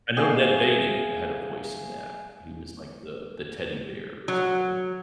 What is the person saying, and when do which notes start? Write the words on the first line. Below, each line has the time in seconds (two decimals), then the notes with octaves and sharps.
I know Ned Beatty had a voice in that. He was like the the teddy bear or something.
0.17 G#4 E5 F5 G5
4.28 F#3